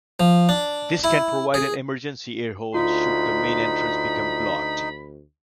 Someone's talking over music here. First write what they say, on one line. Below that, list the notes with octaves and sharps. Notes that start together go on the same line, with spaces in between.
This can provide an emergency air hole should the main entrance become blocked.
F3
D4
E4
G#4
D2 D#4 F4 B5